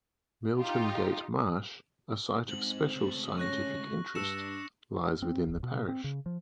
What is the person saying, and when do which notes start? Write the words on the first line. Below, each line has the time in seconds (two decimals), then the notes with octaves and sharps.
Milton Gate Marsh, a Site of Special Scientific Interest, lies within the parish.
0.59 D#4 F4 G4
2.49 G#2 C4 F#7
2.96 C#2 A3
3.38 C#4 C#6 F#6 A#6
4.15 G2 D4 E6 C#7 E7
5.22 C4
5.47 D1
5.63 B2
5.88 C4
6.04 C#3
6.26 F3